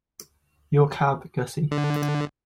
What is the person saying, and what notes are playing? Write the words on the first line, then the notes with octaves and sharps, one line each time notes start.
Your cab, Gussie.
D3